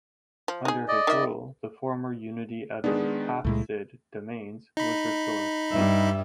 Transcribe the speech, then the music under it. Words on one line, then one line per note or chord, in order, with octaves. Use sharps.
Under his rule the former unity of the Hafsid domains was restored.
F3
D#4 G#4
D5 D#5
D#3 E5
D#3 G#3 B3 D4 G#4
C#2 A#2 G#3 A3 E4
D#4 B5
G2 G3 E5